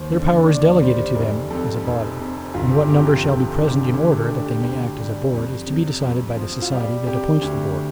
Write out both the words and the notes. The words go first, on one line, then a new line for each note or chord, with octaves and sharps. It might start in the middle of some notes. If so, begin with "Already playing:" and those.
Their power is delegated to them as a body, and what number shall be present in order that they may act as a Board, is to be decided by the society that appoints the Board.
Already playing: D#2 C5
D3
D#2 D5
G3 C5
F1 A#4
F2 A4
F1
C3
G1 F4
G4
F2 G4
G4
G1 A4
D3 G4
D2 G4
A4
D3 G4
G4
D2
G3
F2
C3
F2
F3
F4
G3 G4
C3 G4
D2